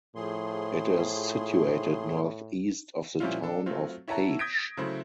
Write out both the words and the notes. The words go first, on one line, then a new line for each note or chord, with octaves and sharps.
It is situated northeast of the town of Page.
A2 F3 G#4 C6
A#2 F3 G3 C#4 E4 F4
D4 A4
F#3 A3 C4 F4
E4 C#5 E5 F#5 A5 A#5
D#6 G6 G#6 A#6 B6 D7
C#3 F#3 A3 E4 C5